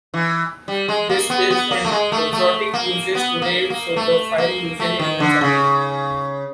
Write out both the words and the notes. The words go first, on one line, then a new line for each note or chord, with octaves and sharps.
This is an exotic usage today so the file usually remains empty.
E3
G3
G#3
A#3
B3
B3
A#3
A3
G#3
A3
A3
A#3
B3
A#3
A#3
A3
A#3
A3
D#3
D3
C#3